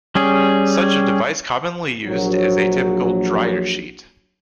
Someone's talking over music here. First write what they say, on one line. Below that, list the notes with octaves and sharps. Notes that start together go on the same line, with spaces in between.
Such a device commonly used is a typical 'dryer sheet'.
G3 C#4 G#4
A#1 F#3